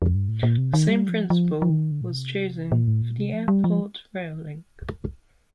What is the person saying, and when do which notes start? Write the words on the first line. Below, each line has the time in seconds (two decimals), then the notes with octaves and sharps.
The same principle was chosen for the airport rail link.
0.02 F2
0.15 G2
0.29 A2
0.43 A#2
0.58 C3
0.73 D#3
0.89 G3
1.09 F3
1.30 F3
1.62 F3
1.70 D#3
1.91 D3
2.01 A#2
2.11 C3
2.72 A#2
2.88 A2
3.02 A#2
3.18 C3
3.34 F3
3.48 G3
3.64 F3